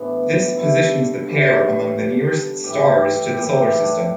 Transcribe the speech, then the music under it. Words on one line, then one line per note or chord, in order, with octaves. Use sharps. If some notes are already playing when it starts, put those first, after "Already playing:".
This positions the pair among the nearest stars to the Solar System.
Already playing: A2 E3 B3 D4
G2 D3 E4
G2 E3
G2 D3
A2 E3 G4
E4
G4
A2 E3 G4
E4
D4